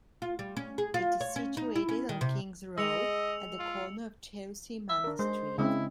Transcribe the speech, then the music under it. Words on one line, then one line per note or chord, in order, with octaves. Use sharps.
It is situated on King's Road, at the corner of Chelsea Manor Street.
F4
G3
C#4
G#4
F4
C#5
C#4
D#4
E4
C#4
D#3
C3
G#3 D#5 E6 C#7 F7
F4
E5
D4 A#4
G#3 C5
C#3 G#3 C4 E4